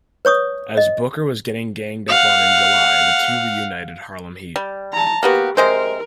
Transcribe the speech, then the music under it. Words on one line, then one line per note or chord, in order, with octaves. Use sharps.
As Booker was getting ganged up on in July, the two reunited Harlem Heat.
B4 C#5 C#6 D#6
D#5
F5 F#5
G3
A5 A#5
A#3 B3 F#4 G4
C3 G#3 A#4 C5